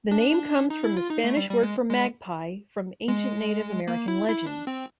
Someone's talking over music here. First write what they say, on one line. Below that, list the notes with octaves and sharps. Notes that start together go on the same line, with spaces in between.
The name comes from the Spanish word for magpie from ancient Native American legends.
D4
D#4
E4
F4
D#4
A3
G3
G3
G#3
G#3
G#3
A#3
E4
E4
D4
C4